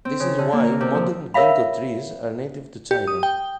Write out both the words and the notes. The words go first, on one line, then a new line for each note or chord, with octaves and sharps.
This is why modern "Ginkgo" trees are native to China.
C4
C#3
D3
A#3
A#4
C3
F3
A#4 C#5 E5 F5 B5
G4
D#6
G5